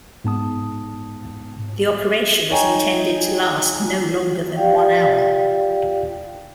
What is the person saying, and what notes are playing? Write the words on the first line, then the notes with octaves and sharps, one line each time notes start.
The operation was intended to last no longer than one hour.
G#2 B3 A5 D#6
D#4 C#5 G5 G#5 A#5
F4 G4 D5 F5 G5